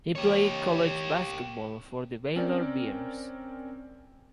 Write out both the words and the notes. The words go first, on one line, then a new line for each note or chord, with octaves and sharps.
He played college basketball for the Baylor Bears.
G4 C#5
C4 C#4 A#4 D5